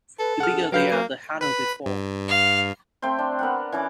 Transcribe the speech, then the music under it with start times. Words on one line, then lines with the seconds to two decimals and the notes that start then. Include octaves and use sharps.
The bigger they are the harder they fall.
0.19 A4 B4
0.40 G#4 F#5 F6
0.72 F#3 G4 B4 F5 G6
0.92 A#3
1.41 B4 B5
1.86 G2
2.28 F5
3.02 A3 C4 G5 C6
3.19 D4
3.39 B3 A#4 F#5
3.72 E3 C#4 D6